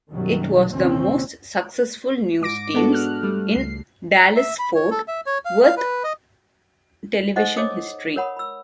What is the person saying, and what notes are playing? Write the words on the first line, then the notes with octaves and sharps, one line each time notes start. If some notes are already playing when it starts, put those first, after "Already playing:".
It was the most successful news teams in Dallas-Fort Worth television history.
F#2 B2 D#3 F#3 G3
A#1 D#2 C3 C4 C#4
G#2 D6 A#6 D7
G#3 B3 D4 F#4 A4
F6 F#6
G3 A3
C#2 C7
E5
B5
C#5
A4
E5
C#5
F5
F5
B4
D#5
D#4 A4 C5 D#5 F#5 C#6
C#5 D#5 D6 D#6
A#4 C#5 F#5 B5 D#6
B5 E6